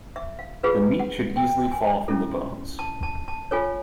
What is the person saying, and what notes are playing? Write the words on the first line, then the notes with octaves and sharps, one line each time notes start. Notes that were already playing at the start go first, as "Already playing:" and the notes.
The meat should easily fall from the bones.
E5
F5
F4 G#4 B4 F5
F#5
G5
G#5
C#4 E4 A4
A5
A5
A5
F4 A4 C#5 G#5